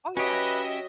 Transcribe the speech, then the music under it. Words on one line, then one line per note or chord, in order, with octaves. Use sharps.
Oh, yeah.
C#4 F#4 G4 B4 C#5 D#5 E5 D#6